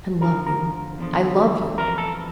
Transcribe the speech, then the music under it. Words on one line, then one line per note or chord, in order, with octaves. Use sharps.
I love you--I love you!
F2 D3 F3 A#4
A#4
E2 D3 F3
F2 E3 A#4
A4